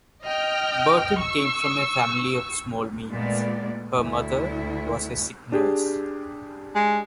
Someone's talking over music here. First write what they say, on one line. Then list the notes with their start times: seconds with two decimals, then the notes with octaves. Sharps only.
Bertin came from a family of small means; her mother was a sick nurse.
0.24 D#5 G5 F6
1.19 C#6 E6
3.10 A#2 G#3 A3 B3 D5
3.96 D2 E4
5.52 D4 G4 G#4
6.75 G#3